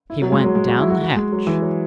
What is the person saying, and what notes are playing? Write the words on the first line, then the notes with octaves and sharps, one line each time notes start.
He went down the hatch.
E4
F#3
G#3
F#3
G#3
F#4
E4
F#4
F#4
G#3
F#3
E3
F#3